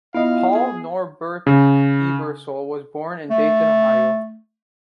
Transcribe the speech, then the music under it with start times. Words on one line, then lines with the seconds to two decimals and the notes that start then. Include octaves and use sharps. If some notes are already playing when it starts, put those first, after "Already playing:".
Paul Norbert Ebersol was born in Dayton, Ohio.
0.15 B3 E4 F4 D#5 F5
0.54 G#4
1.47 C#3
3.30 A3